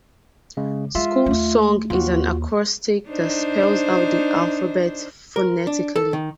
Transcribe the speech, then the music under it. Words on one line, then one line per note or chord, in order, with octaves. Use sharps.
"School Song" is an acrostic that spells out the alphabet phonetically.
C#3 G#3
G#3 F4 E5
D#2 A3
D#2 F4 F#4
D4 D#4 C5
A#4
D4
A4
D#3